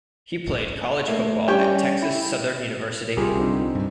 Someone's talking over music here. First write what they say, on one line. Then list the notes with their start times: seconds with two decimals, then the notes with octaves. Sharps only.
He played college football at Texas Southern University.
1.08 A3 A#3
1.48 G3 C#4 G4 C#5 G5
2.03 E4
3.17 C2 F4 G4 G#4 A#4
3.36 D3 C4 D#4
3.75 G2 G3